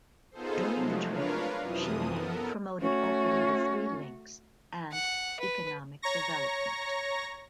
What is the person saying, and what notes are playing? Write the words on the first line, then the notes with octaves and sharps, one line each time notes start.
During the trip, Chiang promoted opening the three links and economic development.
B3 D#4 F4 G#4 A4 C5
C3 F3 F#3 G#3 A3
D4 F4 A#4 B4 C#5 F5
F#2 C3 E3 F3 D#6
B3 A4 A#4
A3 C#4 F#4
F#5
B4
C#5 A#5 C#6 A#6